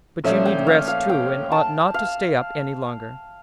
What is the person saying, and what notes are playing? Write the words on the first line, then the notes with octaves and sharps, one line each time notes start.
"But you need rest too, and ought not to stay up any longer."
A#2 F3 A3 C#4 E5
G5
F5
F5
G5
A5
F5